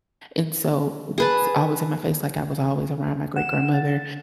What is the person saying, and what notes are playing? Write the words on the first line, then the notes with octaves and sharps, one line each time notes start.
and so it was always in my face, like, I was always around my great-grandmother,
G#4 B4 A5
F#5 E7
A6